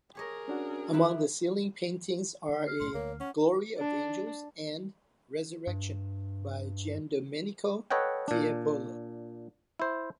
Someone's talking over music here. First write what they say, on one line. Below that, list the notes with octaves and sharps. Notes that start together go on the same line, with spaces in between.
Among the ceiling paintings are a "Glory of Angels" and "Resurrection" by Giandomenico Tiepolo.
G4 G#4 A#4 C#5 D#5
C#4 D4 F#4
D#3 E4 B4
D3
F6 C7
B1 A2 C6
D2 A#3 C#5
C#4 F#5
D4
G2
A4 B4 C#5 D#5 F#5 G5
A#2 D4
E4 C5